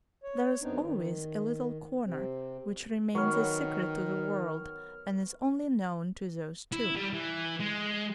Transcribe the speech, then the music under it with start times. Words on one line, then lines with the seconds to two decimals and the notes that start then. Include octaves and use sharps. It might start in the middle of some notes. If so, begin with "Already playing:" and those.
There's always a little corner which remains a secret to the world and is only known to those two.
0.23 C#5
0.62 F#2 B3 C4 D4 D#4
0.80 D#3
2.05 C3 C4
3.15 D#3 F#3 B3 A#4 C#5 F6
6.73 E4
6.96 G3
7.13 E3
7.60 G#3